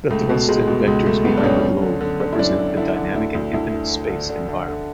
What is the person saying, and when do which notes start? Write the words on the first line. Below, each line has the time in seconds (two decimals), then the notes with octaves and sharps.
The thrusts and vectors behind the globe represent the dynamic and infinite space environment.
0.10 C#2 A3
0.29 B2
0.48 C#2 G#3
0.67 B2
0.86 C#2 G#3
1.06 C#2 A3
1.24 C#2 B3
1.37 D4
1.43 C#2 C#4
1.63 F#2
1.82 D3
2.01 D3
2.20 D3
2.33 E4
2.39 F#2 D4
2.58 D3
2.77 D3 E4
2.96 D3
3.15 D2 E4
3.34 D2
3.53 D2 E4
3.73 D3
3.91 D3
4.10 D3
4.29 D3
4.48 D3
4.68 D3